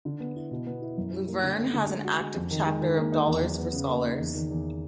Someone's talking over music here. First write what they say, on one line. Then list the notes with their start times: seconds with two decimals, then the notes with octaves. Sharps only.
Luverne has an active chapter of Dollars for Scholars.
0.05 D3
0.20 B3
0.36 E4
0.51 B2
0.67 B3
0.82 E4
0.97 F#2
1.13 G3
1.28 A#3
1.43 D3
1.58 A3
1.74 D3
1.89 G#3
2.04 F#4
2.20 G#3
2.35 F2
2.51 D#3
2.66 G#3
2.81 D#3
2.97 A#3
3.12 D#4
3.27 E2
3.42 F#3
3.58 B3
3.73 C#3
3.89 A#3
4.04 D#4
4.20 E2
4.34 D#3
4.50 E2